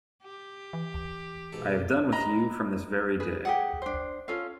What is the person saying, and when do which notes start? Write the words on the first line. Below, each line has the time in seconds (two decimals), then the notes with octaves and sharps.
I have done with you from this very day.
0.23 G4
0.73 E3
1.53 G#2 B2 A4
2.12 D#5 A#5 B5
3.20 G#4 B4
3.45 G4 G#4 F#5
3.82 D4 C5
4.28 C#4 F4 A4 F5